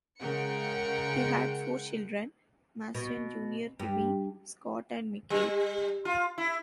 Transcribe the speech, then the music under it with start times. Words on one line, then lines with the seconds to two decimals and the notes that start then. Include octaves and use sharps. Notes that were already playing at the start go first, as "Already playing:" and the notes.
He had four children, Masten Junior Debbie, Scott and Michael.
0.20 C#3 G#3 A#4 F#5 G5 C#7
2.95 B2
3.80 G2
5.30 G3
6.05 F4
6.38 E4